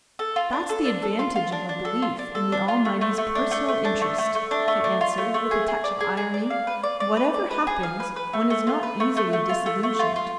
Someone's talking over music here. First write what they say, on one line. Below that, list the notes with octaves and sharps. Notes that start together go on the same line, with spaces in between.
"That's the advantage of a belief in the Almighty's personal interest," he answered, with a touch of irony: "whatever happens, one is not easily disillusioned."
A4
F4
D4
A4
D4
A4
F4
F4
D4
D4
A4
F4
D4
A4
D4
F4
A3
A3
A3
D4
A3
A3
D4
A3
A3
A3
D4
A3
D4
F4
A3
A3
G#4
G#4
D5
G#4
G#4
D5
F5
B4
D5
D5
B4
D5
B4
G#4
F5
B4
B4
A3
A3
F4
B4
A3
A3
A3
F4
A3
A3
F4
F4